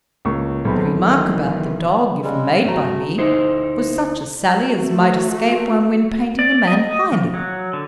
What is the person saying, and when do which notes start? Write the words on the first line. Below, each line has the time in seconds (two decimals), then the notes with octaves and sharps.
The remark about the dog, if made by me, was such a sally as might escape one when painting a man highly.'
0.25 C#2 A#3 C#6
0.65 B1 E2 C3 B5
0.97 D#3 E3
2.23 C#3 G3 G#3
2.65 G2 A3 F#4 A#5
3.18 D2 D#4 E4 C5
4.66 A3 F#4
6.39 D5
6.67 D#5
7.12 F3
7.34 F#3
7.73 D3